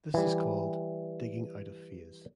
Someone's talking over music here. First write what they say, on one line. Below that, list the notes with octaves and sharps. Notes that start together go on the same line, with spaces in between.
This is called "digging out of phase".
E3 G3